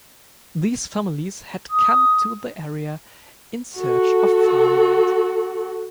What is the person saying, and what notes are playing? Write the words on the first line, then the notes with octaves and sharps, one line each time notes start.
These families had come to the area in search of farmland.
D#6
F#4 A4